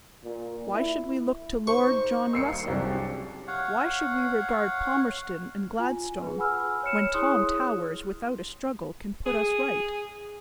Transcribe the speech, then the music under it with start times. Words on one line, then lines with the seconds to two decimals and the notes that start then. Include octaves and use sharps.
Why should we look to Lord John Russell;--why should we regard Palmerston and Gladstone, when Tom Towers without a struggle can put us right?
0.24 A#2
0.73 E4
1.67 D#4 C5 C#6
2.33 G2 D#3 A#3 E6 C7 C#7
2.68 C2 C#3 F#3 D4 G4
3.47 C#5 F5 F#5
5.79 F4 G#5
6.22 G#4 B4
6.38 F#5 G#5 B5 E6 F6
6.83 C#5 F6 C#7 E7
7.14 E4 G#4 C#5 C6 D#6 F#6
9.26 G#4